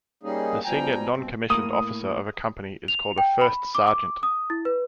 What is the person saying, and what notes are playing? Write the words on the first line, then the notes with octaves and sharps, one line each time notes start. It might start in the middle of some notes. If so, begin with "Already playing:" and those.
The senior non-commissioned officer of a company is called a first sergeant.
G3 A#3 C#4 D#4 G#4
B2 F3 G3 G5 G#5 A#5
G2 B2 C4
A2 A#3 D#6
F7
G5
B5
D6
D6
D#6
E4
B4